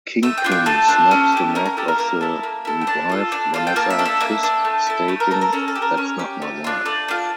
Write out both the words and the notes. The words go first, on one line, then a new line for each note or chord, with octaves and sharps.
Kingpin snaps the neck of the revived Vanessa Fisk stating, That's not my wife.
A3 E5
G5
D4 F4
G5
A3 A4
D4 F4
C#4
E4 G4
C#4 A#4
A#4
E4 G4 A4
A#4
A#3 A#4
E4 A4
A#3
E4 A4
G5
D4 A5
F4 A4
D4
F4 A4
G5
A#3 A5
E5
D4 A4
E5
A#3 E5
D4 A4
A3
E4 A4
A3 C#5
A#4
E4 A4 A#4
A#4
C#4 A4
A4
G4
A#4
C#4 C#5
G4
A3
D4 F4
A3 D5
D4 F4